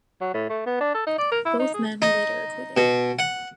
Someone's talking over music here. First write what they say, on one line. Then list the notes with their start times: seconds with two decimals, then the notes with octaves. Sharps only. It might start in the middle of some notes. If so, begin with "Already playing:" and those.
Both men were later acquitted.
0.21 F#3
0.34 A2
0.49 A3
0.66 B3
0.80 D4
0.94 A4
1.06 D#4
1.18 D5
1.31 A#4
1.45 E4
1.59 D#4
1.74 G#4
2.02 D#4
2.77 B2
3.19 F#5